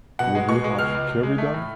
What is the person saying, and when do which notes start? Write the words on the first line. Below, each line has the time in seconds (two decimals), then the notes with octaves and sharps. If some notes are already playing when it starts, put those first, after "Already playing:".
Would we have carried on?
0.19 B2 F#5
0.35 G#3
0.49 B2 C#6
0.64 G#3
0.78 C#2 F6
0.95 C#2
1.09 C#2
1.23 G#3
1.38 A3
1.54 A2